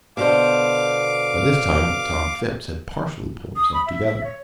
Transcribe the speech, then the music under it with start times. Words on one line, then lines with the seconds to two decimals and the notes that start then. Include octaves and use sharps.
By this time Tom Phipps had partially pulled himself together.
0.17 B2 D3 C5 F5 D6
3.56 D#6
3.74 B5
3.86 E5
4.07 E5
4.24 C#5